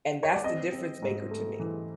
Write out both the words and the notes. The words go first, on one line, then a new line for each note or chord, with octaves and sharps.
And that's the difference maker to me.
C#5
D5
C4 D#5
C4
G#2
A3
E3